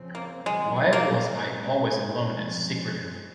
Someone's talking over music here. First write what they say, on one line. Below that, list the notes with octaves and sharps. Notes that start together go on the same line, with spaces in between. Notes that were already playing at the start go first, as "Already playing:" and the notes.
Why was I always alone and secretive?
Already playing: C#3 F3 C4
A#3
C3 D#3 F#3 G#3
A#3
A#2 G#3 C#4
F3 G#3 C4